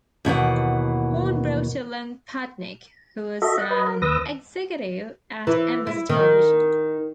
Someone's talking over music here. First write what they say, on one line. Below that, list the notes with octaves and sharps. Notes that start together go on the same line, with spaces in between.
Horn brought along Padnick, who was an executive at Embassy Television.
D#2 B2 E3 F#5
F#4 A4 D#5 E5
D#5 F#5
B4 D#5
A#4
D#2 B4 D#6 E6 A#6
E3
E4
D#3